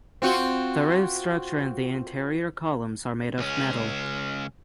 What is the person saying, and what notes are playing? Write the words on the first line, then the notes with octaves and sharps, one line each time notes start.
The roof structure and the interior columns are made of metal.
C4 F4 F#4
C#2 C#4